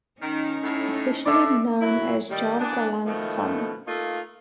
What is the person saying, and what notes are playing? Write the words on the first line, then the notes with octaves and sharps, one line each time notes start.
Officially known as Jargalant sum.
D#3 C#4 D#4
A2
A2 D5 E5
F#3 E4
D#3 G3
E3 B3 D4
B2 D#3 F3 A3
A3 A#3 D#4 F4